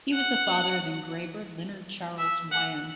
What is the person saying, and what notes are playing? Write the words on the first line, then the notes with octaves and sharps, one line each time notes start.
He was the father of engraver Leonard Charles Wyon.
F#5
E5
F#5